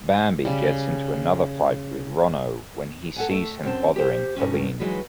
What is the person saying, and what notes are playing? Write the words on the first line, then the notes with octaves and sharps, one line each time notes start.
Bambi gets into another fight with Ronno when he sees him bothering Faline.
C#3 G3
A4 F#5 G#5
A3 E5
F#2 C4 A5
G4 C5
G2 F3 G3 C#4
E3 F#3 G#3 D#4 B4